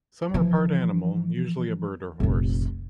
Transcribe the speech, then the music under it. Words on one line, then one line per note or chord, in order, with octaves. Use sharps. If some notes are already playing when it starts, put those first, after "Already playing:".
Some are part animal, usually a bird or horse.
E3 F3
F1 A#1